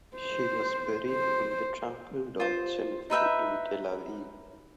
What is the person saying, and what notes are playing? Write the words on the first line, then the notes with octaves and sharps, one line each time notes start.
She was buried in the Trumpeldor Cemetery in Tel Aviv.
C5
C5
F4 C5
D#4 B4 E5 G5